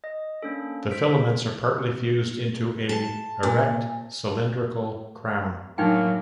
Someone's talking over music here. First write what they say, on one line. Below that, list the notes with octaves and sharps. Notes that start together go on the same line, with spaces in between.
The filaments are partially fused into a, erect, cylindrical "crown".
D#5
A#3 C#4 D4 A4
C5 G6 B6 D7
A5
A#2
A2 F#3 A#3 D4 D#4 G5